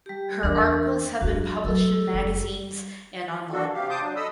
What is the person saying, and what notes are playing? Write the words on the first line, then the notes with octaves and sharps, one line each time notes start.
Her articles have been published in magazines and online.
G3 G4
E2 D4 A#4
F#2 D4 F#4
F#3 A3 A4 E6
F#1
E3 F#3 A#3 D4 F#4 A4
C3 G4 F5
A5 C6 D6 D#6 G6
F#3 D4
A4 D#5 B5 D#6 E6